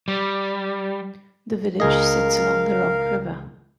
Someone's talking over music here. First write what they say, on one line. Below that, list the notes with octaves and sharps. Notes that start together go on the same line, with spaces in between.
The village sits along the Rock River.
G3
C#2 G#4 A#4 D#5 F5